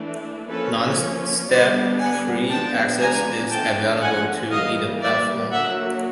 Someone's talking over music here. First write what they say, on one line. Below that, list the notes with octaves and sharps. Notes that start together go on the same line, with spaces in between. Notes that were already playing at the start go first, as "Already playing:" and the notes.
No step-free access is available to either platform.
Already playing: E3 A3 D4
F3 A#3 C#4 A4 B4
D3 G3 B3 D4 C5 D5
F#5 G#5
F3 G#3 B3 D4 G5 A5
G#5 A#5
D3 F3 A3 C#4 G5 A5
F#5 G#5
E3 G3 A#3 D#5 F5
D5 E5
D3 F#3 A#3 E5 F#5